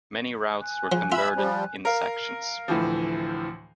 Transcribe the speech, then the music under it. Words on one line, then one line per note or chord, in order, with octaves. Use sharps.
Many routes were converted in sections.
G#5 F#6
C#3 F3
F4 E5 B5 E6
F3 G3
A#4 F5
D2 A2 E3 F3